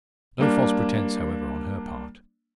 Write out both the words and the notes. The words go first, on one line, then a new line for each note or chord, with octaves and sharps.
No false pretence, however, on her part.
G3 A#3 D4